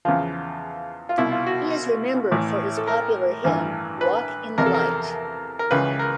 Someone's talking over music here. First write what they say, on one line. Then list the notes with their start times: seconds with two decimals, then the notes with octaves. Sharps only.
He is remembered for his popular hymn: "Walk in the light".
0.05 E2 C#3 F3 F4
1.09 F4
1.18 C2 B2 E4
1.32 F4
1.47 F#4
2.31 A1 A2 E3
2.77 A4
2.88 A#4
3.44 A1 G2 E3
4.01 B4
4.58 E2 C3 F3 A#4
4.66 A4
4.74 A#4
5.59 A#4
5.71 C#2 C#3 E3 B4
5.99 A#4